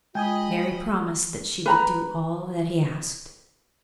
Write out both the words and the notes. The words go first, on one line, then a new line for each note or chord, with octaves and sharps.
Mary promised that she would do all that he asked.
G#3 F4 D#5 G5 G#5 B5 D#6
B4 A#5 B5